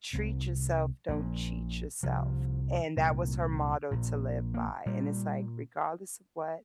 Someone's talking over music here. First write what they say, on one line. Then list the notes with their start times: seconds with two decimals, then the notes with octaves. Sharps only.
"Treat yourself, don't cheat yourself." And that was her motto to live by and it's like, regardless of what,
0.13 C2 C3
1.08 A#1 A#2
2.03 C2 C3 F3
2.97 C2 A#2
3.91 A#1 A#2
4.54 A#3
4.86 A#2 G3